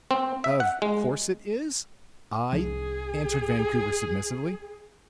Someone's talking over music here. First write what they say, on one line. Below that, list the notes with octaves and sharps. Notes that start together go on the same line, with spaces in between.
"Of course it is I," answered Vancouver, submissively.
C4
E5
F#5
G#3
C2 F3 G#4